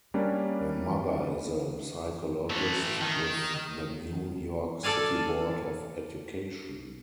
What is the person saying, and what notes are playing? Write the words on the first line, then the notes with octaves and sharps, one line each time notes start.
Her mother is a psychologist with the New York City Board of Education.
G3 A#3 C#4 D4
E3 A3
D#3
A4 D5 F5 G#5